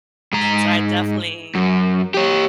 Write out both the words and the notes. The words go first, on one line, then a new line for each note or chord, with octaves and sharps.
So, I definitely
G#2 A#5
F#2
G4 C#5